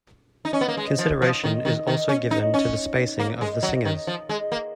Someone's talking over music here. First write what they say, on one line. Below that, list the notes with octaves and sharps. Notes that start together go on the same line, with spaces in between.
Consideration is also given to the spacing of the singers.
D#4
C#4
B3
A#3
G#3
F3
F3
D#3
D#3
D#3
C#4
D#4
C#4
A#3
G#3
F#3
D#3
F3
G#3
A#3